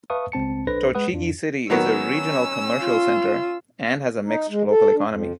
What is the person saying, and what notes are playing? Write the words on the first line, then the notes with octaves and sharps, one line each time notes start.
Tochigi city is a regional commercial center, and has a mixed local economy.
B4 E5 F5 A5 C#6 D#6
C#2 C4 A5 C#7
B1 D4 A4 B4 C5 A#6
G#3 B4 F#5 D#6
F2 D4 F4
D#3 F#3 B3 C#4 E6
F4
D#4
G#3
A4
D4
F2